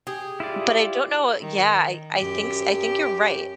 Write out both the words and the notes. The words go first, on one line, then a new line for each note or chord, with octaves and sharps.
But I don't know i Yeah, I I thinks I think you're right,
G4 G#4
E4 F4 D5
D#3
F#2 G4